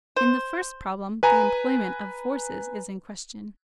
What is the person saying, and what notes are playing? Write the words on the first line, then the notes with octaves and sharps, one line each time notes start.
In the first problem the employment of forces is in question.
C5
B4 G#5 A#5